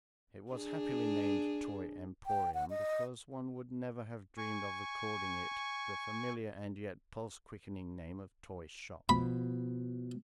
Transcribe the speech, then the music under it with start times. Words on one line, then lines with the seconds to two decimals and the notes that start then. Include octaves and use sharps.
It was happily named Toy Emporium, because one would never have dreamed of according it the familiar and yet pulse-quickening name of toyshop.
0.52 D4 G#4
2.26 G5
2.54 F#5
2.70 D#5
4.38 G#5 C#6
9.09 B2 F3 B5